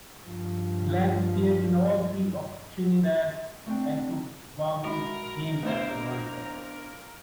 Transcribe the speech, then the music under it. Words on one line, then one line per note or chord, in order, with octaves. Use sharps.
Glen appeared in all three of Trinidad and Tobago's games at the World Cup.
G2 F3
A3 C4 D4 G5
G#3 F#4 A#4 E5 B5 C6
A#2 A3 B3 D4 E4 C5 D#5